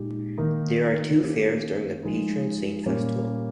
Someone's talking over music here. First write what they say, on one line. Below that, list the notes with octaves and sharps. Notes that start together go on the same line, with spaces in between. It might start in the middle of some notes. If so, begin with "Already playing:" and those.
There are two fairs during the patron saint festival.
Already playing: A#2 G#3 D#4 G4
D#3 A#3 D#4
D#3 A#3 C#4 G4
F3 G#3 D#4
A#2 G3 A#3 C#4